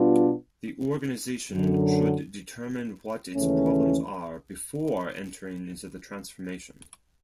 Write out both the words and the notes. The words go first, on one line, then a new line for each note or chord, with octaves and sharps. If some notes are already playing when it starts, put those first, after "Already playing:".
The organization should determine what its problems are before entering into the transformation.
Already playing: B2 G3 B3 D4 F4
F#2 D3 F#3
D#2 C#3 E3 A3 C#4